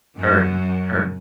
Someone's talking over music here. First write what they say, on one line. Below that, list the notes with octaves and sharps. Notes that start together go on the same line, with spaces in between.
Heard. Heard.
F#2